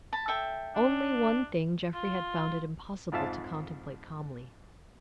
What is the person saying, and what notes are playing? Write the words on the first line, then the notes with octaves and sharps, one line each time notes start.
Only one thing Jeffrey had found it impossible to contemplate calmly.
A5 B5
A4 E5 G5
D4
F4
F2 G#2 F3 E5 F5 A5